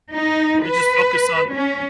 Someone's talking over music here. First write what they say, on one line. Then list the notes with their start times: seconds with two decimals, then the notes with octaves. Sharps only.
You just focus on
0.13 D#4
0.65 B4
1.51 C#4